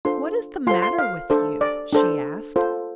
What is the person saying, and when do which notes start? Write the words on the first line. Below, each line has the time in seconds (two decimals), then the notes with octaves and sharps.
"What is the matter with you?" she asked.
0.05 D4 F4 A4 C5 C6
0.67 F4 A4 C5 C6
0.82 C6
0.99 F5
1.30 D4 A4 C5
1.61 D5
1.93 D4 A4 C5
2.56 F4 A4 C5